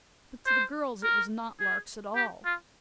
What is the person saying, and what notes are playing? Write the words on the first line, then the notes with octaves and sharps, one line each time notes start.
But to the girls it was not larks at all.
C5
A#4
G#4
G4
F4